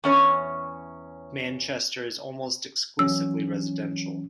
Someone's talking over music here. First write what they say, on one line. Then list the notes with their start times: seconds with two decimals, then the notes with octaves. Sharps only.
Manchester is almost exclusively residential.
0.04 E2 C#4 C#5
2.99 E3 F#3 C#4 E6